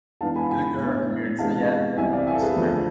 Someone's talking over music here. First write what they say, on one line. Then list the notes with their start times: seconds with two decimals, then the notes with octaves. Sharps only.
Ilgar Mirzayev was married.
0.21 G#2 E3 B3 D4 F5 A5
0.36 G#5 B5
0.50 G#5 B5
0.80 A2 E3 B3 D4
1.39 C3 E3 G#3 B3 D4 F5 A5
1.97 C2 C3 E3 E5 G#5
2.12 D5 F5
2.27 E5 G#5
2.35 A4
2.42 G#4 B4
2.56 D2 D3 F3 A4